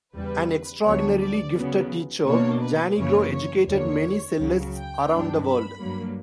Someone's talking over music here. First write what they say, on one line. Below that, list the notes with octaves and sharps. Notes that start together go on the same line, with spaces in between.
An extraordinarily gifted teacher, Janigro educated many cellists around the world.
E2 C#3 G3 B4
D2 D3 F#3 B3 D4 C#5
D5
C#3 F#3 B3
B2 A#3 D4 C#5
B4
F#2 C#3 E3 A#3 C#5
C#5
E2 D3 A#3 C#5
C#2 C#3 F#3
G5
G2 F#3 B3 D4
B5
G2 F#3 A#3